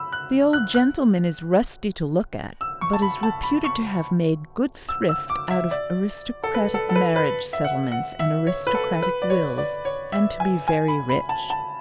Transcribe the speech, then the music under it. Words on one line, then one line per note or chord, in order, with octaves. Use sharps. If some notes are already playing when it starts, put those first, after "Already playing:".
The old gentleman is rusty to look at, but is reputed to have made good thrift out of aristocratic marriage settlements and aristocratic wills, and to be very rich.
Already playing: B5 E6
F#6
F#6
F#6
E6
C#6
A5
B5
A5
B5
C#6
E6
E6
D6
E5
D5
A4
B4
A4
A4
B4
B4
E5
F#5
F#5
E5
C#5
B4
A4
B4
D5
C#5
D5
C#5
E5
G#5
G#5
B5
B5
A5
A5